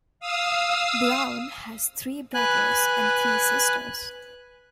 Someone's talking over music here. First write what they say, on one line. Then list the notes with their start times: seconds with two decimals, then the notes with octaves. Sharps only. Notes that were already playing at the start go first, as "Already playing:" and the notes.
Brown has three brothers and three sisters.
0.20 F5 D#6 E6
2.34 B4 G#5 F#6